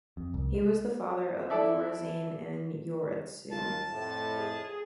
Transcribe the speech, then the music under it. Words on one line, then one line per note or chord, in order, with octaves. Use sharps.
He was the father of Norizane and Yoritsune.
F2
C2
G#3
E4 A4 D5 E5
D#2 F4 A5
F2 A2
G#4